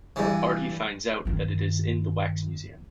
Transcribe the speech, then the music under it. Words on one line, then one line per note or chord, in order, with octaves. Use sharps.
Artie finds out that it is in the wax museum.
G2 E3
G2 D#3